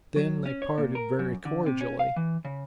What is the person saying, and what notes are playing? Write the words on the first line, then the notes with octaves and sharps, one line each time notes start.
Then they parted very cordially.
F#3
C#4
C#5
A#2
A#4
F#2
D3
C3
C#4
F5
E3
C#3